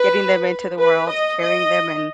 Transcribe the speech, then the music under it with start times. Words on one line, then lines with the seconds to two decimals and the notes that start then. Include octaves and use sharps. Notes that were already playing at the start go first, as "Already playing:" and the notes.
getting them into the world, carrying them and
Already playing: B4
0.80 B4
1.12 D#5
1.42 D#5